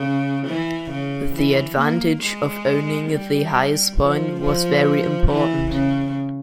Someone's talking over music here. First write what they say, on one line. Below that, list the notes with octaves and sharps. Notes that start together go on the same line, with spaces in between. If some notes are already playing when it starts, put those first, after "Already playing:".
The advantage of owning the highest point was very important.
Already playing: C#3
E3
C#3
E3
A#3
G#3
G3
F3
F3
E3
C#3